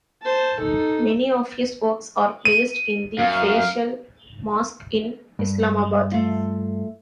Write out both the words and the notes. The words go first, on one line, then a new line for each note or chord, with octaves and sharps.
Many of his works are placed in the Faisal Mosque in Islamabad.
C5 A5
D#4 A4
D#7
F#2 F5
G2
A3 F4